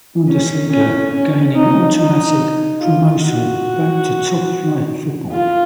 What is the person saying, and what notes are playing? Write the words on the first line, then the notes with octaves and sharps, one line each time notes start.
Bundesliga gaining automatic promotion back to top flight football.
C#4
C#4
C#4
D#4
D#4
F4
F#4
F4